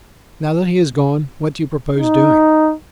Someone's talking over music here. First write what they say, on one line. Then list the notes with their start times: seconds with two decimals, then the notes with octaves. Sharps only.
"Now that he has gone, what do you propose doing?"
1.98 D#4